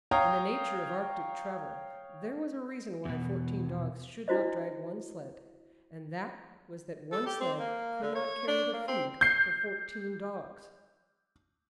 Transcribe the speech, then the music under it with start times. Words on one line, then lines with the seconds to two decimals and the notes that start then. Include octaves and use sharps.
In the nature of Arctic travel there was a reason why fourteen dogs should not drag one sled, and that was that one sled could not carry the food for fourteen dogs.
0.11 C#5 F5 G5 A#5 D#6
3.05 E2 B2
4.28 D4 E4 F#4 C5 D#5
7.12 A4
7.26 G4
7.40 C4
7.59 A#3
8.02 D3
8.15 C#5
8.47 D4
8.73 A#3
8.88 C4
9.21 G6 C7